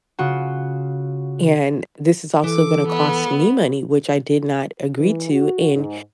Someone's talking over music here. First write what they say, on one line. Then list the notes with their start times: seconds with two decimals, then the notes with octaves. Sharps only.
and this is also gonna cost me money, which I did not agree to, and
0.19 C#3 F4 F#4
2.44 E3 A4 D6
2.87 B3
4.99 E3
5.31 F#4
5.74 G#2